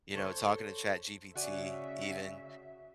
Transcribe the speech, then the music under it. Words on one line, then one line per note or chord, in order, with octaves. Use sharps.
you know, talking to ChatGPT even,
A4 C5 C#5
C#3 F#4 D5 E5 G#5